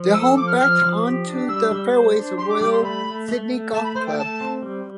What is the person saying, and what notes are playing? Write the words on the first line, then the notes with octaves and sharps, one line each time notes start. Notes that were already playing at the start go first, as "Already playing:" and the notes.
Their home backed on to the fairways of Royal Sydney Golf Club.
Already playing: F3
A4 E6
E6
F3 D6
F6
F3 F6
F3
G4
D4
G3 E6
G3
C5
D4
G4 C6
D6
G3 D6
C6
A3 B5
A3
A3
A3
A3 A5
B5
A3 C5
G5
A3 A5
C4
G3